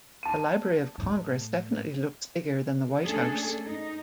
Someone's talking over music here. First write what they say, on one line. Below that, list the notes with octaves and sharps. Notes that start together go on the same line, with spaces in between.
The Library of Congress definitely looks bigger than the White House!
A5 D#7
A2
A3 A#3 C#4 D4 G#4 A4
D#4